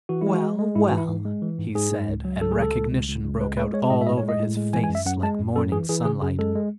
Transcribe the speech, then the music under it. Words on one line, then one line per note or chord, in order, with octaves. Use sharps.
"Well! well!" he said, and recognition broke out all over his face like morning sunlight.
E3 F#4
E4
G#3
F#4
G#3
G#3
G#2 E4
F#4
E3
E4
G#2
G#3
E3
G#2
G#2 G#4
G#2
C#2
F#3
C#2 A4
G#4
C#2 A4
C#2
C#2
C#2
C#2
G#3 B4
G#3 B4
G#3 C#5
A2 D#5
E5
A2 D#5
C#5
G#3
D#5
A2
G#3
E3 G#5
G#5
F#2
E5
F#2 F#5
G#3 A5
F#2
F#2 A4
E3 G#4
E3 G#4
C#3 G#4
F#2 G#4
G#3 A4
G#3